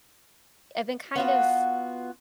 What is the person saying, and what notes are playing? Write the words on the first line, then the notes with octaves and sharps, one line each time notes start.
I've been kind of,
B3 F4 F#4